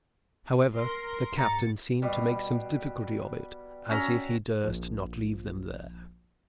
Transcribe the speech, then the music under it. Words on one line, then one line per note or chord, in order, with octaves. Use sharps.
However, the captain seemed to make some difficulty of it, as if he durst not leave them there.
A#4 C6
G#2 A#5 A6 C#7
B2 G3
C#4 F#4 E5 A#5
A#1 F3